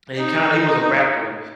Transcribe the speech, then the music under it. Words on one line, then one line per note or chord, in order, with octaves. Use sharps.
And he kinda he was a rapper,
D#4